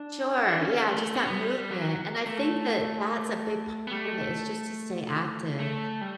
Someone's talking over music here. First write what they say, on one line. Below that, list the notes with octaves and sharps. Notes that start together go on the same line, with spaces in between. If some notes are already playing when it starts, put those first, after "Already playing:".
Sure. Yeah, just that movement, and I think that that's a big part of it is just to stay active,
Already playing: D4
D4
C#4
A3
B3
C#4
B3
G3
F#3
A3
B3
A3
A3
G3